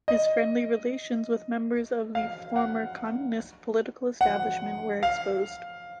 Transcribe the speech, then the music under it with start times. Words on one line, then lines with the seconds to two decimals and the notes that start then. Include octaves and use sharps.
His friendly relations with members of the former communist political establishment were exposed.
0.08 D#5
2.15 F5
2.56 F#5
4.21 F#5
5.03 F5